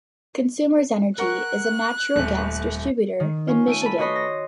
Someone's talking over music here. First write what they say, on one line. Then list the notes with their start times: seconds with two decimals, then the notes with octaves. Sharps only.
Consumers Energy is a natural gas distributor in Michigan.
1.18 A#4 F#5 C#6 F#6
2.16 D#1 A3
3.20 D#3
3.47 C#4 F4
3.67 A3 D7 D#7
3.82 A5 B5
3.98 F#4 B4 C#5 D#5 B5 C6
4.15 A#6